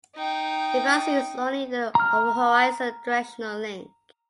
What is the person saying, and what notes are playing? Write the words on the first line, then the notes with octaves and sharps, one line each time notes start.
It first used only an overhorizon directional link.
D#4 G5
A#5 F6